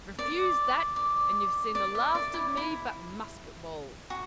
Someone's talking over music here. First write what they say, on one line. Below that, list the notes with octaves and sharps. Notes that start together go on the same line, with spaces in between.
"Refuse that, and you've seen the last of me but musket-balls."
D5
D5
D5
E5
D5
E4
E4
F#4